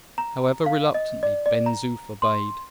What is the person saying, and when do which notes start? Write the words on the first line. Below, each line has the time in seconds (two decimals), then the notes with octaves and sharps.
However reluctantly, Ben Zoof obeyed.
0.18 A#5
0.66 F5
0.94 D#5
1.23 D5
1.46 D5
1.66 A#5
2.22 C6